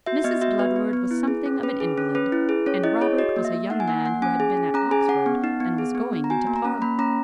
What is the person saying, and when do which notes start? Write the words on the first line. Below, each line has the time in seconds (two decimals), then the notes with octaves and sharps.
Mrs. Bludward was something of an invalid, and Robert was a young man who had been at Oxford and was going into Parliament.
0.06 F#4 E5
0.24 B3 D#5
0.41 F#4 E5
0.59 B3 B4
0.76 B3
0.93 B3
1.11 E4
1.28 G#4
1.46 C#4
1.63 C#4 B4
1.80 G#4
1.98 C#4
2.15 C#4 B4
2.32 E4
2.49 G#4
2.66 C#4 C#5
2.84 E4 D#5
3.01 G#4 C#5
3.18 F#4 D#5
3.36 A#3
3.45 E5
3.54 A#3
3.70 D#4 F#5
3.80 G#5
3.88 A#3 F#5
4.05 A#3 F#5
4.22 C#4 G#5
4.40 G#4
4.57 C#4
4.74 C#4 A#5
4.91 G#4 G#5
5.09 C#4 F#5
5.26 B3
5.44 D#4
5.60 B3
5.78 G#4
5.95 B3
6.13 B3
6.24 A#5
6.30 F#4 G#5
6.47 A#3
6.56 A#5
6.65 C#4
6.82 A#3 B5
6.99 C#4 A#5